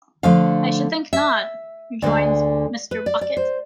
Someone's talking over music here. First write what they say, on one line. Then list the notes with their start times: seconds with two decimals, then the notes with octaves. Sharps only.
"I should think not," rejoins Mr. Bucket.
0.23 D3 F3 A3 F5
1.13 E5
2.02 D2 D3 G#3 D5
2.91 B4
3.06 D5
3.21 D5
3.37 C5